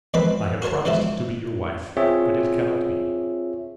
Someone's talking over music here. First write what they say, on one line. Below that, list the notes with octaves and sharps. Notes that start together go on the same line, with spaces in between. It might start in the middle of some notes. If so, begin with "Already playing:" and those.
I have promised to be your wife, but it cannot be.
E2 F3 G#3 C4 B4 B5
F#4 A#4 C5 C#5 A5
E2 G#2 B2 E3 F3 E4
C4 F4 G#4 C#5 E5